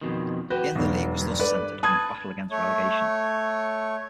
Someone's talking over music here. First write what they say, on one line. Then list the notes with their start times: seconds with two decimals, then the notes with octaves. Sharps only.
The end of the league was thus centered on the battle against relegation.
0.01 F2 B2 D#3
0.50 F#4 B4 G5
0.75 E1 B1 F#3
1.21 G2
1.39 A4 B4 D5
1.83 B4 A5 D#6 G#6
2.51 A3 C#5